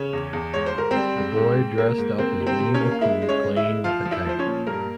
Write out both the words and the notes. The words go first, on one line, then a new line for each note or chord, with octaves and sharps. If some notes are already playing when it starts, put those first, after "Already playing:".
A boy dressed up as Winnie The Pooh playing with a kite.
Already playing: C#3 C#4 C#5
E2
E2
G#2 C#5
C5
G#2 A#4
G3 C4 C5
G#2
G#2
G#2
A#3
G#2
A#3 C4 C5
C3
C4 C5
C3
C#4 C#5
A#3
F5
G#3 E4 E5
G#3
C#4 C#5
G#3
E4 E5
G#3
F3 F4 F5
F3
E4 E5
F3 C5
C#4 C#5
A#2
G2 A#3 A#4